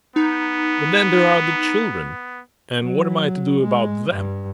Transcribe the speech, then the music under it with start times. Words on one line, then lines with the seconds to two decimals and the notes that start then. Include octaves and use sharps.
But then there are the children, and what am I to do about them?
0.16 B3 D#4
2.81 F#3
3.61 G#3
4.10 G2